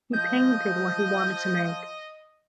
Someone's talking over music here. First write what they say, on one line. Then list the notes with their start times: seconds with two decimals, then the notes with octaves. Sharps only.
He painted what he wanted to make.
0.13 F3 D#5 G6